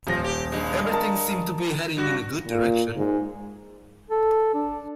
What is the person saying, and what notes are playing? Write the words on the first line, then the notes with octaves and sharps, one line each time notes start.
Everything seemed to be heading in a good direction.
D#1 F3 A#6
G4
G2 G#3
A#4 A5 D#6
G2 F#4
A#2
G#2
A4
D4